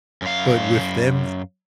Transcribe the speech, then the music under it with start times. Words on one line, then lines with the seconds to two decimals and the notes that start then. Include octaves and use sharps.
but with them e
0.22 F#2 F5